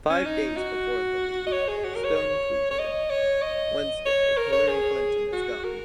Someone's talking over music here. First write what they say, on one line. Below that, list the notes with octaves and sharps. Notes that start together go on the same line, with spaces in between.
Five days before the leak, Stone tweeted, Wednesday Hillary Clinton is done.
C#4
D#4
F#4
D#5
C#5
G#4
F#4
A#4
C#5
C#5
C#5
D#5
C#5
D#5
C#5
A#4
C#5
G#4
F#4
A#4